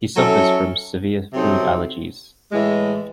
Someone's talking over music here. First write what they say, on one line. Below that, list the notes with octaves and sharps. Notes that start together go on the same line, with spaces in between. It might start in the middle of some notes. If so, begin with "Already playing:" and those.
He suffers from severe food allergies.
F#3 C#4 E4 A4
C3 F#3 C4 D#4 A4
A2 E3 G#3